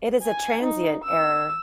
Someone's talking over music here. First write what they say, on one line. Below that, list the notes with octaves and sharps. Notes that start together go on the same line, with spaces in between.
It is a transient error.
G#5
D#4
E6